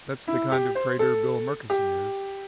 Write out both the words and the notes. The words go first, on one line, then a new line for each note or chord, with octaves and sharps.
That's the kind of trader Bill Murkison is.
E4
G4
C5
A4
G4